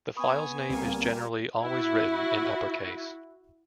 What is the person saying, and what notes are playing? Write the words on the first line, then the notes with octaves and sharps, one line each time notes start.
The file's name is generally always written in upper case.
B3 G#5 B5 C#6 D#6
C#2 G3 A#3 C4 A#4
E4 F#4